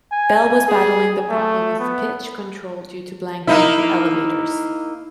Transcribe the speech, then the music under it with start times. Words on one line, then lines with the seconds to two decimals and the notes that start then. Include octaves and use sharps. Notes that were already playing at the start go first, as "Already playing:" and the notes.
Bell was battling the problem of pitch control due to "blanking" the elevators.
0.12 G#5
0.68 G#4
1.29 A3
1.79 B3
3.47 A#3 D#4 E4